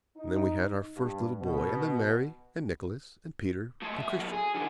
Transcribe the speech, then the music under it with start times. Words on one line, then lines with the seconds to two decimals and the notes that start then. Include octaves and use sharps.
And then we had our first little boy, and then Mary, and Nicholas, and Peter, and Christian.'
0.16 D#4
0.96 G2
1.41 B2
3.82 G#3 A3
3.98 F#2 E5
4.18 F#2 D3
4.33 G#4
4.55 D3 E3